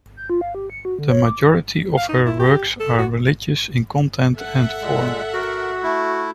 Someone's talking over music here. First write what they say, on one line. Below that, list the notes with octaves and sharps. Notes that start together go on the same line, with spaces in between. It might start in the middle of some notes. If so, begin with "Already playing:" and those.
The majority of her works are religious in content and form.
G6
F4
F5
G4
C#7
F#4
D3
C#5
D6
F5
D#4
E4
G4
A4
F#4
A4 E5 F#5
A#2 G#3
F#4 A#4
A3 E4